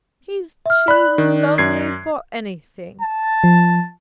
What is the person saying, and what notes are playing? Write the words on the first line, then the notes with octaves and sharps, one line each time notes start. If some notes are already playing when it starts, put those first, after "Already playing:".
He's too lovely for anything!'
E5 F6
D5 B5 F#6
D#3
F#2 G#6 C7
A5
F3